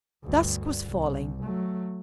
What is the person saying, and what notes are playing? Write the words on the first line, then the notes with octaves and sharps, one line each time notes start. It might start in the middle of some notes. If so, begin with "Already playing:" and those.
Dusk was falling.
D2 G2
C2
F#3 A3